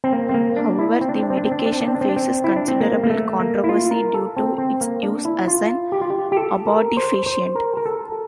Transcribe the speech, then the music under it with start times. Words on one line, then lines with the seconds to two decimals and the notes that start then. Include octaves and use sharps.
However, the medication faces considerable controversy due to its use as an abortifacient.
0.04 C4
0.13 A#3
0.29 C4
0.34 A#3
0.56 D4
0.79 E4
1.01 C4
1.09 D4
1.15 C4
1.23 D4
1.30 C4
1.37 D4
1.45 C4
1.52 D4
1.59 C4
1.66 D4
1.73 C4
1.81 D4
1.88 C4
1.95 D4
2.01 C4
2.09 D4
2.16 C4
2.44 E4
2.56 D4
2.68 C4
2.81 A#3
3.04 A#3
3.10 A3
3.39 A#3
3.64 E4
3.69 F4
3.91 A#4
4.14 A4
4.37 C4
4.58 C4
4.81 A#3
5.03 D4
5.25 E4
5.48 F4
5.92 G4
6.01 F4
6.10 G4
6.32 G4
6.37 A4
6.67 A#4
6.97 C5
7.26 C5
7.56 A#4
7.77 A#4
7.86 A4